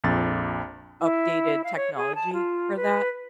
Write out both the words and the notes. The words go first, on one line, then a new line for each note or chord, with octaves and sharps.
updated technology for that.
A#1 F2 A6
E4
F5
C#5
G#4
A5
F4
B4